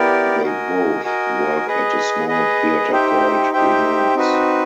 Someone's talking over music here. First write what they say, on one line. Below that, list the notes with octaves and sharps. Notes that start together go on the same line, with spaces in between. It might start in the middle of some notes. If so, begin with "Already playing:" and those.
They both work at a small theatre called "Renaud's".
Already playing: B3 E4 G4 A#4 D5
F#4 A#4 D#5 G#5
F#4 A#4 D#5 G#5
G#4 B4 D#5
G#4 B4 D#5
D#4 G4 C5 E5 G5
D#4 G4 C5 E5 G5
C4 D#4 F#4 B4